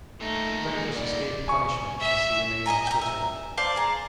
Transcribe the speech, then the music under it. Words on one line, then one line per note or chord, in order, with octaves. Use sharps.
Reclus escaped punishment as he remained in Switzerland.
A#2 A3 D#4
G#3
D5
G#5 C#6
E5
D#5 E5 G#5 A#5
G5 A#5
E5
C5 D5 F5 A5
G#4 A#5